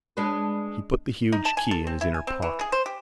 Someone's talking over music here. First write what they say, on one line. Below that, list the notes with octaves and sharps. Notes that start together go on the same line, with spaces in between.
He put the huge key in his inner pocket.
G#3 D4 B4
D#4
A5
G#5
A4
C4
E4
G#5
C4
E3
G#4
C5
G4